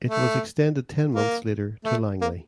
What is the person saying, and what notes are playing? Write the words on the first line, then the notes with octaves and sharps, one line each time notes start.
It was extended ten months later to Langley.
A3
A#3
A3
A#3